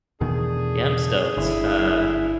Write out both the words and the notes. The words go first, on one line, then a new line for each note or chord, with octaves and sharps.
Yeah, I'm stoked. Uh.
E2 B2 D#3 A3 D4 G#4
G1 E4